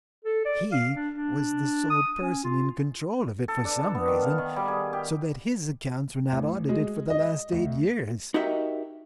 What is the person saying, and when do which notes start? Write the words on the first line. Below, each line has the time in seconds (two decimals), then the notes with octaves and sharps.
He was the sole person in control of it for some reason, so that his accounts were not audited for the last eight years.
0.25 A4
0.45 D5
0.72 F5
0.95 D4
1.15 D4
1.90 D#6
2.21 C#4
2.44 F4
3.48 A4
3.65 D4
3.79 A5
3.95 B3
4.08 D#3
4.23 F5
4.38 D#3
4.56 G3
4.68 G#4
4.93 G4
6.32 A1
6.69 G#3
7.10 D#5
7.52 D2
8.34 D#4 F#4 G4 A#4 D#5 E5